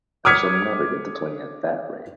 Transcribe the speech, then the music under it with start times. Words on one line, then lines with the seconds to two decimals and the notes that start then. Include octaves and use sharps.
I shall never get to twenty at that rate!
0.25 D6 D#6 F6 G#6 B6 C#7